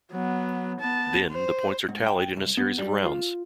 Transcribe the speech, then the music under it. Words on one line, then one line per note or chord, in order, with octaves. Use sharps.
Then, the points are tallied in a series of rounds.
F#3 B3
B3 A5
C5
G#2
G5
C2
B3
G3
F4